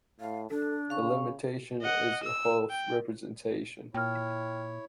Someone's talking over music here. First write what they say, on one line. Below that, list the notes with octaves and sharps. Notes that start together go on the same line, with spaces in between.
The limitation is the Hopf representation.
A2 F5
D4 A4
C#3 F5 C#6
D#5 F#5
E6
G5
A#2 E4 C#5 G5 F6